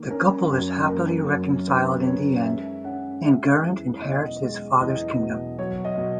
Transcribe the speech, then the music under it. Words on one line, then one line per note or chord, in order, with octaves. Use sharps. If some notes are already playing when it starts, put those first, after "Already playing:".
The couple is happily reconciled in the end, and Geraint inherits his father's kingdom.
Already playing: D#3 A#3
C#4 A#4
F#2
A#3 A#4
F#2
D#3 B4
C#4 C#5
G#3 E5
C#4 F#5
G#3 E5
E2
B2 D#5
G#3
E2 D#5
B2
F#3 C#5
D#5
B2